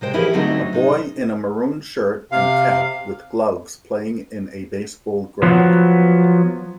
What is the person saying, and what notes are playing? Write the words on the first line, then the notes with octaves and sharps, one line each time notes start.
A boy in a maroon shirt and cap with gloves playing in a baseball ground.
C3 G#3 C5 G5
E3 F3 E4 G4 G#4 A#4
D3 F#3 A3 C4 C#4 D#4
C3 D#4
C3 F5
F3 F#3 B3